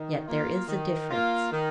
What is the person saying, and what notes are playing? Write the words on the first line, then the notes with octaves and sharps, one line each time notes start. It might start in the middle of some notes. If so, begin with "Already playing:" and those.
Yet there is a difference.
Already playing: D#3
A#3 F4
D#3
A#3 F4
D#3